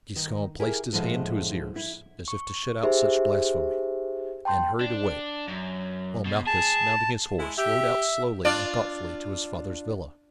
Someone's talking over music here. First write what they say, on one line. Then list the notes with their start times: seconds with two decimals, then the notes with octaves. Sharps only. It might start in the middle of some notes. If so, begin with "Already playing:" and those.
Giscon placed his hand to his ears as if to shut out such blasphemy, and hurried away, while Malchus, mounting his horse, rode out slowly and thoughtfully to his father's villa.
0.16 D#3
0.60 E4 G4 G#4 A#4
0.93 A2 D3 F3 G#3 E4 D#5
1.76 E4
2.28 C#6
2.83 D#4 G4 G#4 C5 E5
4.45 G5 A5 C6 G6
4.81 D4
5.48 F#2
6.26 B2
6.47 G#4 A5
7.39 G#3 E4
7.58 G4 E5
8.45 D4 F4 D5